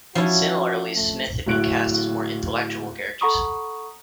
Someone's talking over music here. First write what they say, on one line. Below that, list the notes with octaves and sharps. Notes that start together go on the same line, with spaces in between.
Similarly, Smith had been cast as more intellectual characters.
F3 C#4 E4 F#4
A3
D1 A2 F#6 D7
A4 F#5 A#5 B5 C#6 D#6